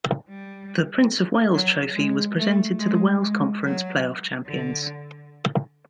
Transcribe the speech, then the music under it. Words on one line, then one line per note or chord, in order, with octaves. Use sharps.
The Prince of Wales Trophy was presented to the Wales Conference playoff champions.
G3
F#3
G#3
A3
G#3
G#3
F#3
D3